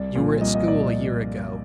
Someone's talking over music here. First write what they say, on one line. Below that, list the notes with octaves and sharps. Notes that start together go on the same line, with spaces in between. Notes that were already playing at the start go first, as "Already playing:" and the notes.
You were at school a year ago.
Already playing: C2 D5
A#2 F3
C2 D#5
D#5
A#2 F3 D5